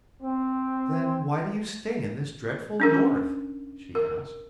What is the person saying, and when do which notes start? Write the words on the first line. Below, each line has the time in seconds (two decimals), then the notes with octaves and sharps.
"Then why do you stay in this dreadful North?" she asked.
0.22 C4
2.80 C#4 D4 A#4
3.95 A#4